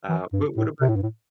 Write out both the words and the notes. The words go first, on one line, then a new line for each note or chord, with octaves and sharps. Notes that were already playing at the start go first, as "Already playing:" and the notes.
Uh, but what about
E3
G2
A2
C3
A2
G2
A2